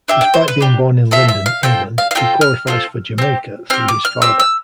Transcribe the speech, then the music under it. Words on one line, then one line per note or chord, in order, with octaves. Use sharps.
Despite being born in London, England he qualifies for Jamaica through his father.
D4 G4 E5
G5
C5
B4
D4 G4
C4 F4 A4 E5
E5
F5
C4 F4 A4 G5
F5
F5
C4 F4 A4 G5
F6
C4 F4 A4
C4 G4
C4 G4 F6
D6
F6
C4 G4 E6
E6